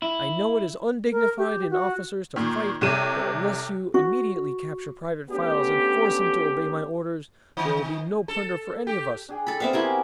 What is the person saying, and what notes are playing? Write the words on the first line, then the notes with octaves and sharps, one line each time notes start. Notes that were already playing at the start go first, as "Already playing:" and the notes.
I know it is undignified in officers to fight, but unless you immediately capture Private Files and force him to obey my orders there will be no plunder for any of us.
E4
A#4
G4
F#4
A#2 D#3
C2 C3 G4 A4 C#5 D#7
F#4
A3 B3 C#4 D4 G4
D#3
A4
G4
D4 G#4 G5
A4 B5
G3 B3 C4 E5 F5
G#3 E4 F#4 G4 A#4 G#5